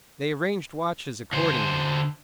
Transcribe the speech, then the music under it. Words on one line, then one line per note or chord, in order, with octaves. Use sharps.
They arranged watches accordingly.
D3 C5